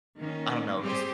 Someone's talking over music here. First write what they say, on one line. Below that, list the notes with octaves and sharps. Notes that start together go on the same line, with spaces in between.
I don't know, just
D#3 A#3 C#4
G3 C4 G4 G#4 C5